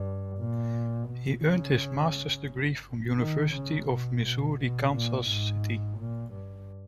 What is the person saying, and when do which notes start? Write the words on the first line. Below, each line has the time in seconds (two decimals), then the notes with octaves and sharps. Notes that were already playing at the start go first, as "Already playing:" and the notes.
He earned his master's degree from University of Missouri-Kansas City.
Already playing: G2
0.38 A#2
1.08 B2
1.43 C#3
3.18 D#3
3.53 C#3
3.88 B2
4.22 B2
4.58 B2
4.93 A#2
5.28 G#2
5.98 A#2
6.33 G2